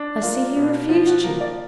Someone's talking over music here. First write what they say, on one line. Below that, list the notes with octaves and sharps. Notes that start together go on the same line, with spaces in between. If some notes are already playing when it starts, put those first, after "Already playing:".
"I see he refused you."
Already playing: D4
A#3 F4
B2
F3 F4
F#4
A#3 A#4
D5